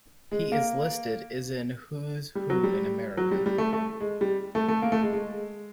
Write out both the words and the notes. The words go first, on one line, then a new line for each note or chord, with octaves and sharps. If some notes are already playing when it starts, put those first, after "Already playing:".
He is listed is in "Who's Who In America".
G#3
A#3
G3
F#3
G3
F#3
G3
G3
A3
A3
G#3
G3
A3
A3
A#3
A3
G#3
G#3